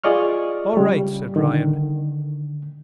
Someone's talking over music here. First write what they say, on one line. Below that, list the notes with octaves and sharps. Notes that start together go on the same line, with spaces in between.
"All right," said Ryan.
F4 G#4 D5 D#5 C#6 F6
C#3 G3
D3 D#3